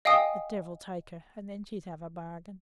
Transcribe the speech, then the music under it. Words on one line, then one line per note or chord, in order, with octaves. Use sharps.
'The devil take her! and then he'd have a bargain.
D#5 F5 G5 G#5 D#6